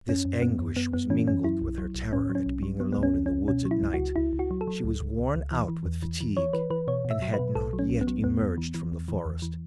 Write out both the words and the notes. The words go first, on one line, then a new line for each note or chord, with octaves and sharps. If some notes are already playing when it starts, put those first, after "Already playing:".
This anguish was mingled with her terror at being alone in the woods at night; she was worn out with fatigue, and had not yet emerged from the forest.
F#2 C#4
F#2
F#2 B3
F#2
F#2 B3
F#2 B3
E3 C#4
F#2 C#4
F#3 E4
B1
F#3
B1
A2 C#4
F#3
C#4
B1
F#3
F#3 B3
C#2 B3
C#4
C#2
C#4
C#2
B2 C#4
F#3
E4
C#2
C#2 F#4
C#2 E4
C#2
F#4
F#3
A4
F#3
C#2
C#2
C#2
C#2
E3
E3
E2
E3
E3
E3 C#5
E3 B4
E3 B4
B2 C#5
B2
E5
F#3
B4
B2
B1 A4
F#3
C#4
B1
B3
F#3
E2 B3
E2
E3
E3
E2
E3
E2
E3